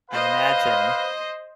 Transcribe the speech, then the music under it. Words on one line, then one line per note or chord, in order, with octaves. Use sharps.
I imagine
B4 C5 D#5 F5